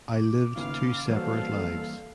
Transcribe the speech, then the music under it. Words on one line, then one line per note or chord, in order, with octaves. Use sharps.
I lived two separate lives.
D6
G1 D#2 C#3 F5
E3 G3 A#3 F#4 A4 C5 C#5 F5